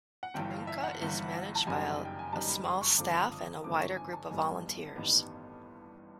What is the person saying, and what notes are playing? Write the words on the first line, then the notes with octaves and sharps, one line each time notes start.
"Tharunka" is managed by a small staff and a wider group of volunteers.
F#5
G1 G2 E3 G5
F5
E5
F#5
G1 G2 E3
A5
F#1 F#2 D#3 G3 G#5
G5
G#5
F#1 F#2 D#3 G3 A5
B5
C6
C#6
G#1 G2 D3 F3 D6
D#6
G#1 G2 D3 F3 D6
C#6
G#5
A5
A1 G2 D#3 G3 B3 G#5
A1 G2 D#3 G3 B3